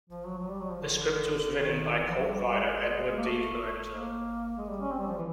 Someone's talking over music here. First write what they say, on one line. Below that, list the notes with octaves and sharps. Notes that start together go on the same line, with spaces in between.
The script was written by cult writer Edward di Lorenzo.
F3
F#3
F#3
G3
F#3
F3
D3
D#3
D3
D3
D#3
E3
F3
F#3
G3
G3
G#3
A#3
A3
A#3
G#3
G3
C#4
C4
G3
F3
E3